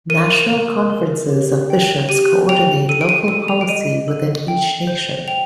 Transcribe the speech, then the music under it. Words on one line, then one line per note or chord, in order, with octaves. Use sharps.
National Conferences of bishops co-ordinate local policy within each nation.
A#4 D#7
F7
A#4
A#4
G4
G5
G4 D#7
G5 F7
A4 D#7
D7
D#7
A4 D#7
F7
D7
D#5 D#7
A4
G5
C5
G5 F7